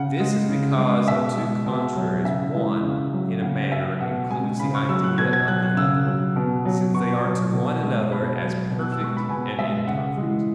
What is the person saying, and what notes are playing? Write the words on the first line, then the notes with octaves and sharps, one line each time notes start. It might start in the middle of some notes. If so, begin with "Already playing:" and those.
This is because of two contraries one, in a manner, includes the idea of the other, since they are to one another as perfect and imperfect.
Already playing: C#3 F#5
G#3
C#3
G#3
B2 E5
G#3
B2
F#3
C#3 E5
E3 G#3 E5
C#3
F#3
C#3 F#5
F#3 E5
B2 F#5
G#3 G#5
C#3 B5
C#6
F#3 E6
F#6
B2 G#6
G#6
F#3 F#6
F#6
C#3 E6
F#3
B2
F#3
B2 C#6
F#3
B2
G#3
B2 B5
F#3
B2
F#6
E6
G#3 C#6
B5
B2 G#5
G#3 E5
C#3 F#5
E3 G#3